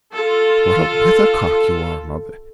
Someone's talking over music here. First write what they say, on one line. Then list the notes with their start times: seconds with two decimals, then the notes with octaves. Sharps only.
'What a weathercock you are, mother!
0.14 F4 A4